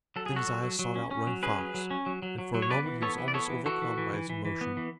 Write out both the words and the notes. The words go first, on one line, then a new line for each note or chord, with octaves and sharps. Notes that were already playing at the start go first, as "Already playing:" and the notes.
Then his eyes sought out Running Fox, and for a moment he was almost overcome by his emotion.
F#3 A4
G#4
F#3 F#4 A4
F#3
F#3
F#3
C#4
C#4
F#3
C#4 G#4 B4
F#3
F#3
C#4
F#3
F#3
F#3
F#3
C#5
B3 B4 D5
E3
B3 A4 C#5
E3
D5
B3 A4 C#5
E3
E3 F#4 A4
E3
E3
E3
E3
E3
B3
E3